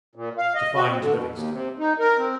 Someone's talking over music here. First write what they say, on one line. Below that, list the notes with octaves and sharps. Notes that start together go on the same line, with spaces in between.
"To find Livingstone."
A#2
F5
D#5
F#4
C4
D3
B2
D#2
C3
D#4
A#4
C4